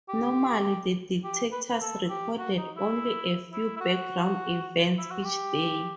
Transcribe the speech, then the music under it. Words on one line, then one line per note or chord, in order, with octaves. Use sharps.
Normally, the detectors recorded only a few background events each day.
G4
G4
B4
B4
A4
G4
F#4
D#4
E4
E4
E4
F#4
E4
F#4
G4